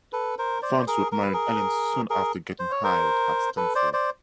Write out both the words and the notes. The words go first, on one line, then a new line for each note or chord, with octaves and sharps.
Farnsworth married Helen soon after getting hired at Stanford.
A4 B4
A#4 C5
C5 D5
G#4 A#4
A#4
B4
G#4 A#4
G#4 A#4
C5
C#5
A#4 C5
A4 B4
C5 D5
C5 D5